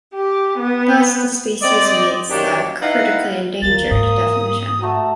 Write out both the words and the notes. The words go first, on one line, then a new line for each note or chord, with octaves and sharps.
Thus the species meets the "critically endangered" definition.
G4
B3
C4 D5 D#5
F#2 D#3 A#3 D4 G4 C#5
D#4 E4 B4 F5 F#5
D#2 A#3 A6
G#2 D#6
A3 F#4 A5 A#5